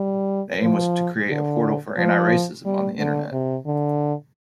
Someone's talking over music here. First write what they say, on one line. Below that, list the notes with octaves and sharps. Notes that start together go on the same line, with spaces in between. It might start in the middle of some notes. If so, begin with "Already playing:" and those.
The aim was to create a portal for anti-racism on Internet.
Already playing: G3
F3
D3
F3
G3
D3
C3
D3